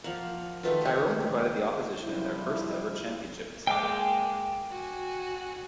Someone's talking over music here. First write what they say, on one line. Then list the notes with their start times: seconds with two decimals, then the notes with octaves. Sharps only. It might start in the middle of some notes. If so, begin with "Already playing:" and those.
Tyrone provided the opposition in their first-ever championship decider.
0.04 F3 A#3 F5 F#5
0.63 D#3 F#3 A3 F4 B4 E5
0.85 G4 C#5 D#5 F5
1.20 D#3
2.04 C3 F3 G3 E4
3.67 G#3 A#3 G5 D6
4.70 F#4 G#5